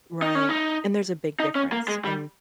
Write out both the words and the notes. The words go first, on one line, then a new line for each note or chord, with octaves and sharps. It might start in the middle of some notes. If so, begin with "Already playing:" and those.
Right, and there's a big difference, and
D#4
C#4
D#4
D#4
C#4
A#3
G#3
G3